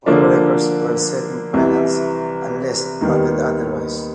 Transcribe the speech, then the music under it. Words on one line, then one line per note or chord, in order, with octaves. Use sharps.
All records were set in finals unless noted otherwise.
D3 F3 A#3 D4
C2 C3 E3
D#2 D#3 G3 B3